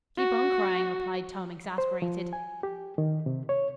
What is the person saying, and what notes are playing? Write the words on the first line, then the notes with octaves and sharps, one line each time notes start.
"Keep on crying," replied Tom exasperated.
F#4
C5
F3
G#5
G4
D#3
C3
C#5